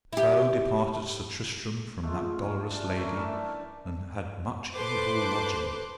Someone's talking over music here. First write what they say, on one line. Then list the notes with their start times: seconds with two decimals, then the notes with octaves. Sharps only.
So departed Sir Tristram from that dolorous lady, and had much evil lodging.
0.13 E4 G4
2.03 G#3 A3 F4
2.38 C#4
2.71 D4 A5
2.97 A3 C#4 A#4 D6
3.15 E3 D4 E5 A5
4.74 A4 B4 C5 C6 D6 F#6